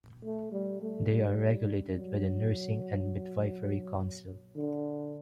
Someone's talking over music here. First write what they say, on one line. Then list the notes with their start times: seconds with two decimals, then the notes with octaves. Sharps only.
They are regulated by the Nursing and Midwifery Council.
0.24 A3
0.52 G3
0.82 A3
1.10 G3
1.96 F#3
4.55 D3